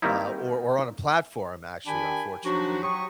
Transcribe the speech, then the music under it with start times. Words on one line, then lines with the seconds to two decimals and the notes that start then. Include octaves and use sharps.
uh, or or on a platform actually, unfortunately.
0.02 D#3 G3 A#3 C4 D#4 E4
1.87 D#3 D4 G4 G5 G#5 B5
2.45 F3 F#3 D4 D#4 F#4
2.82 F#3 G4 C#6 D#6